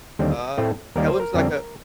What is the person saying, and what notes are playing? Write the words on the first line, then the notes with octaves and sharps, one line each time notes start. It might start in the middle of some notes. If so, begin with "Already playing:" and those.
Uh, Katt Williams like a
D#2 D3 G3 C4
A2 A3 C4
D#2 D#3 G3 A#3 A#4
C5
A#4
F2 D3 G3 C4